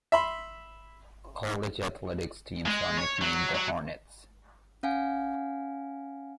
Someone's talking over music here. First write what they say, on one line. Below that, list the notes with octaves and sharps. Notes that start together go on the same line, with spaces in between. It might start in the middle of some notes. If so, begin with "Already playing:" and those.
College athletics teams are nicknamed the Hornets.
E5 B5 C6
G#3
C#5
F#3
F#3
C#4 F5 F#5 G#5